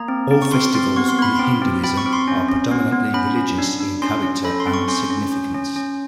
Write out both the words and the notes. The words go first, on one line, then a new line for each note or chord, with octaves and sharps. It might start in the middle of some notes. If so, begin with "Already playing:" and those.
All festivals in Hinduism are predominantly religious in character and significance.
Already playing: A#3 A#5
C4
C4
C#6
C4 C6
C4 C6
B3 C#6
C6
B3 B5
C4 C6
C4
C4 B5
C#6
C4
C6
C#4
C#4
B3
B3
C#4 B5
C#4
D4
D4
C#4 C6
C#4
A4 B5
C6
C4
C#6
C#4 C6
C#4
C#4
C#4
C#4